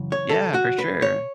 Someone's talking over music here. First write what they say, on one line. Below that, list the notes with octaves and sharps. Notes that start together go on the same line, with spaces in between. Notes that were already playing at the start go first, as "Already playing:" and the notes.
Yeah, for sure.
Already playing: F#2 C#3 E3
C#5
A4
F#4
B4
C#5